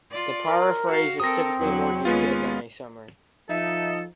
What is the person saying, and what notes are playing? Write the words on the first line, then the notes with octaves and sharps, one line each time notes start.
A paraphrase is typically more detailed than a summary.
F4 D5
A#4
F#4 F5
C4 A4 A#4 D#6 A#6
E2 F#3
D#2 G#3 B3 C#4 F4
F3 D#4 A4 E5